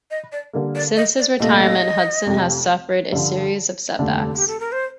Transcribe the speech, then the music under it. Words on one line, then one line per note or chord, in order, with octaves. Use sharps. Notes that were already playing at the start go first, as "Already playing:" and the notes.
Since his retirement, Hudson has suffered a series of setbacks.
D#5
D5
D3 G3 A#3
D5
D#5
D5
C2 A#2 A3 D#5
F1 F2 C3
G2 D3 F3
F1 D#2 D3 A3 D4
G4
A4
A#4
C5